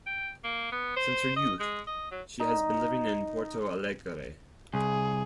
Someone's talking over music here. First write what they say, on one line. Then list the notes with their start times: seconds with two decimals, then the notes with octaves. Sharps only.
Since her youth she has been living in Porto Alegre.
0.06 G5
0.44 A#3
0.72 B3
0.97 C5
1.36 D#5
1.60 G#3
1.87 D#5
2.11 F#3
2.40 D#4
4.74 C2 G#4